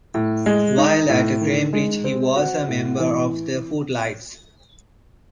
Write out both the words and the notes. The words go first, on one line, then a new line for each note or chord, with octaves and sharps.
While at Cambridge he was a member of the Footlights.
A2
G#3
D#4
A2
D#3
G#3
C4
F#4
A2
E3